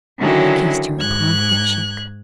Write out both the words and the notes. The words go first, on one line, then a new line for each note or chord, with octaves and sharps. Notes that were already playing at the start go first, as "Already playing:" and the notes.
He kissed her upon the cheek.
D3 D#3 F#3 C#4 E4
G#2 F#6 G#6